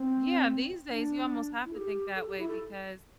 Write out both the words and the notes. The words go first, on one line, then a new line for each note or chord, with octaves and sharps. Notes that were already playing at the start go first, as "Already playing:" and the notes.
Yeah, these days, you almost have to think that way because
Already playing: C4
D4
E4
A4
G4
A4
G4
E4
A4